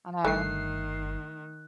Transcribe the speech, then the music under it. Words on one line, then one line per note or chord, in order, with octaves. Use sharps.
I know.
G1 G2 D#3 A3 F#6 C7